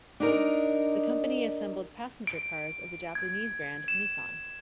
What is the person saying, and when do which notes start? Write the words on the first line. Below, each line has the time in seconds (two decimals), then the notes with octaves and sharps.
The company assembled passenger cars of the Japanese brand Nissan.
0.20 D4 D#4 A#4
2.27 D7
3.15 G#6
3.88 E7